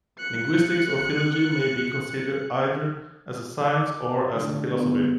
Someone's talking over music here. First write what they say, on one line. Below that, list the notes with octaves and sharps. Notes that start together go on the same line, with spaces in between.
Linguistics or philology may be considered either as a science or as a philosophy.
F#6 C#7
D6
D3 A3 D4
B3